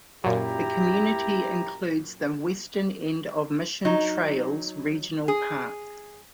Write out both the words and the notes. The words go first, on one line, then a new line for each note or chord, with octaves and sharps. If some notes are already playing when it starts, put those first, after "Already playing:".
The community includes the western end of Mission Trails Regional Park.
F#2 A#2 E4 G4 A#5
F#3 D#4
G#4